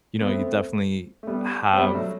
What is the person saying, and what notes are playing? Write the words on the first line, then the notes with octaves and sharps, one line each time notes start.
you know, you definitely have
B3
A3 C4
A3
G3 B3
C4
G3 B3
F#3 A3